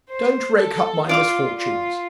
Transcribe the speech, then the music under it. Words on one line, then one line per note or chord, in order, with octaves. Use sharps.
"Don't rake up my misfortunes."
C5
A4
F4 D5 F5 D6
F4